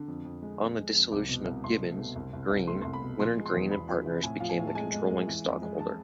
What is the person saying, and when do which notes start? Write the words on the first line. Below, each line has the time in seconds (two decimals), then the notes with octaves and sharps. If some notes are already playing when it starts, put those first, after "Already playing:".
On the dissolution of Gibbons, Green; Leonard Green and Partners became the controlling stockholder.
Already playing: D3
0.08 F2
0.25 F2
0.42 G#3
0.60 F2
0.78 G#3
0.94 F2
1.12 C2 D6
1.29 B2
1.47 C2
1.64 C2 C6
1.81 A3
1.98 B2
2.15 C2
2.33 C2
2.50 C2
2.68 A3 C6
2.82 C2 C6
2.93 B5
3.02 B2
3.19 F3 C6
3.37 G#3
3.46 C6
3.54 E2
3.71 E2 B5
3.89 F3
4.06 C3
4.23 A2 G#5
4.40 F3 F5
4.49 G#5
4.58 A2
4.67 A5
4.75 G#3 G#5
4.93 G#3
5.10 G#3
5.27 E3
5.45 F2
5.62 G#3
5.79 A5